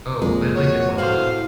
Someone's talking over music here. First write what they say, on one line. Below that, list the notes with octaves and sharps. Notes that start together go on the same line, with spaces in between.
Oh, I like it well enough!
F2 A#2 G#3
F#4 C#5
A2 C3 F#4 C5 F5